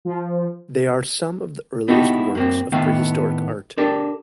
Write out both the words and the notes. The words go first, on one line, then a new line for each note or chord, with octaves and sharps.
They are some of the earliest works of prehistoric art.
F3
B3 D#4 E4 F#4 G4 A4
F#2 A#3 C4
A2 D#3 A3 B3 F5 G5
D4 G4 A4 A#4